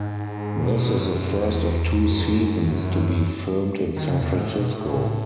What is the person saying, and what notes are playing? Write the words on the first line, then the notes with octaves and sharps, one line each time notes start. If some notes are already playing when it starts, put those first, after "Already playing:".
This is the first of two seasons to be filmed in San Francisco.
Already playing: G#2
B2
F#2
E2
F#2
E2
F#2
D#3
C#3
E2
G#2
A2
B2
A2